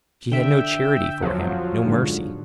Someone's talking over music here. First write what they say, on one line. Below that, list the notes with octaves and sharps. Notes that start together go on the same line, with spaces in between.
She had no charity for him, no mercy.
D3 E5 G5
F2 F3 F#3
G#2 D3